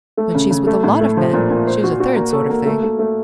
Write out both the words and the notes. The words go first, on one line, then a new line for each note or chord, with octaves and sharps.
When she is with a lot of men, she is a third sort of thing.
A3
C#3
C#3
A3
A2
A3
F3
A#2
A#2
C5
F#4
F#4
A#3
A4
A#3
A3
A3
A3